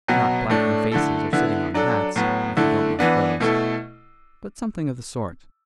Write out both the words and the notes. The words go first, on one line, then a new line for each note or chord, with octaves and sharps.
Not blacking faces or sitting on hats, if you don't like those--but something of the sort.
B2 F#3 B3 F#4
A2 A3 D4
D3 A3 E4 A4
D3 B3 E4
F#3 D4 A4
A2 F#3 B3
D3 A3 E4
E3 B3 D4
B2 A3 E4 A4